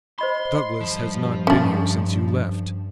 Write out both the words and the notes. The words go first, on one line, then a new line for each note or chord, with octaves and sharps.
Douglas has not been here since you left.
C5 D#5 B5 C6
G2 F3
C#4 D4